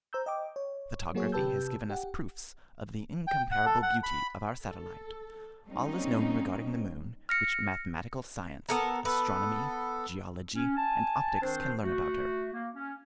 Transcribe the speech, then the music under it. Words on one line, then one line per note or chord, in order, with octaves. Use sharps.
Photography has given us proofs of the incomparable beauty of our satellite; all is known regarding the moon which mathematical science, astronomy, geology, and optics can learn about her.
C5 A#5 E6 G6
D#5 G5 D6
C#5
F#3 A#3 F#4 G#4 C#5
C3 G4 B4 A5 E6 G6
G4 F#5
G5
F#5
A4
F#5
B5
A4
F#3 G3 A#3 C4 C#4 D#4
F6 A#6 C#7
B3 A4 A#4
B3 A4 B4
C#4
G#5 A5
D#3 C4 D4 C5
A3 F#4
A#3
C#4